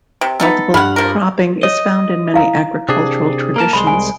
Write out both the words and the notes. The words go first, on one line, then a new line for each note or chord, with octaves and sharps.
Multiple cropping is found in many agricultural traditions.
C3
B3 D#4 A4
G2 F5 F#5 B5 F6
F3 A#4
C#5 D#5
E4 F5 A#5
C3 D4 G#4
A#3 A#4 A5
C2 G#3 B5 C6
G#5